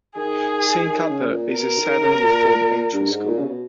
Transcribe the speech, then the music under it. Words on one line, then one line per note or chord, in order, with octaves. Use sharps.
Saint Cuthbert's is a seven form entry school.
D#3 G#4
D#3
C#3
A#2
B2 A#4
D#3
C#3
B2
A#2
G2
G#2
A#2
C#3
B2